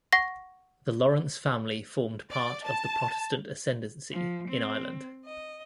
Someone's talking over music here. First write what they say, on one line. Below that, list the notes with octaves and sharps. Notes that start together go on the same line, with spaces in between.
The Lawrence family formed part of the 'Protestant Ascendancy' in Ireland.
F#5 C#6 A#6
D5
A5
F3
C4
D#5